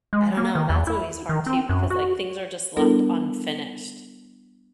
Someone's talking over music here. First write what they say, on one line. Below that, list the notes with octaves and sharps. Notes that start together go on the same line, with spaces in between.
I don't know. That's always hard too because like things are just left unfinished
G#3
A#3
D#3
E2
E4
D#3
C4
F#2
F#4
G3 B3 D4 E4 A4 A#4